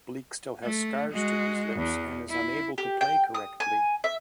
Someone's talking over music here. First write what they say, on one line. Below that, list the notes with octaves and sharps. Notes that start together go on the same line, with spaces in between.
Bleek still has scars to his lips, and is unable to play correctly.
A3
G#3 F#4
E2
E4
G4
G5
D#6
G#5
E5